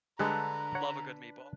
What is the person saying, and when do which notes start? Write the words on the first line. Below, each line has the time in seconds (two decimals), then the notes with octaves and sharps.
Love a good meatball.
0.19 D3 G3 G#3 D4 A4 B4 A#5
0.75 C#5 F#5